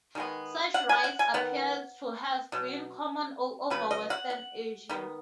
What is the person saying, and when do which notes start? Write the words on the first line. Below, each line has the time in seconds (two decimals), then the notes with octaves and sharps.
Such rites appear to have been common all over Western Asia.
0.15 D#3 G#3 B3
0.74 F#5
0.89 G#5
1.04 F#5
1.19 G#5
1.34 D#3 B3 F#5
2.52 B2 F#3
3.70 C#3 F#3 B3 B4
3.91 D#5
4.10 F#5
4.30 F#5
4.89 D#3 B3